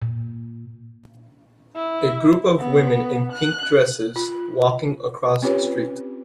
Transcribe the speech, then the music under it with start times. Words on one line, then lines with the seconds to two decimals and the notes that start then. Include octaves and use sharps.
A group of women in pink dresses, walking across a street.
0.02 A#2
1.76 E4
2.59 B3
3.32 F#6
4.16 F4
5.42 C4 C#4 F4 G4 B4 C#5